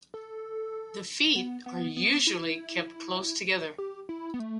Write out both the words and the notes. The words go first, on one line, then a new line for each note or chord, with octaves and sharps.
The feet are usually kept close together.
A4
B3
B3
B3
E4
G4
E4
B3
A3